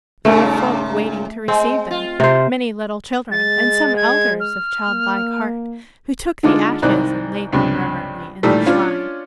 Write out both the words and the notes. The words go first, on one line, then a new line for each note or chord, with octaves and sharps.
There were folk waiting to receive them,--many little children, and some elders of childlike heart, who took the ashes and laid them reverently in the shrine.
G2 A#2 C#3 A3
G#3 C4
F4
C3 C5
G#3 A6
G#6
F6
A#3
D3 G#3 D4 D#4 F4 D5
C2 G#2 D#3 C4 D5 F#6
C#2 G2 C3
A#2 D#3 E3 G3 A3
C#4 D4 F4 C#5 D5